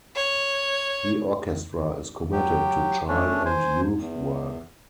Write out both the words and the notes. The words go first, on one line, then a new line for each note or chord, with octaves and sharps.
The orchestra is committed to child and youth work.
C#5
F#3 G4
A3 C#4 D4
C5 G#5
E2